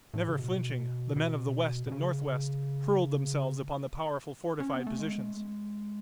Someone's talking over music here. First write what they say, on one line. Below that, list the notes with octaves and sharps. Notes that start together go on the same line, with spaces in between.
Never flinching, the men of the west and northwest hurled themselves upon the powerful fortified positions.
A2
C#3
B2
B2
B2
C#3
C#4
B3
A3
G#3